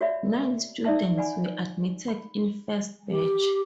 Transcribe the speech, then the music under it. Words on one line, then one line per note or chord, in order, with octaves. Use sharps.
Nine students were admitted in first batch.
F#4 C#5 D5 E5 B5
D#4 D5 E5 A5
D5 F#5 G#5 B5
B5
G4